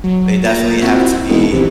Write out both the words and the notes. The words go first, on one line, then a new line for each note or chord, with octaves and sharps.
they definitely have to be
F#3
A#2 A#5 A6
C4 E4 F#4
E1 D#4 E4
A#1 C3 E3